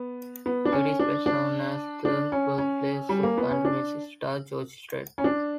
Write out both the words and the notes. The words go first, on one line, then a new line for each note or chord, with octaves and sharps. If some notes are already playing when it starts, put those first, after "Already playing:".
It is best known as the birthplace of country music star, George Strait.
Already playing: B3
B3
D4
C#4
D4
D4
D4
C#4
C#4
G3
A#3
B3
C#4
D4
C#4
D4